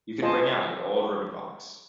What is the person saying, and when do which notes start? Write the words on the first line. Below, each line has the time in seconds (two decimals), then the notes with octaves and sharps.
You can bring out your old ribbon-box.
0.22 F4 G#4 C5 D#5 A5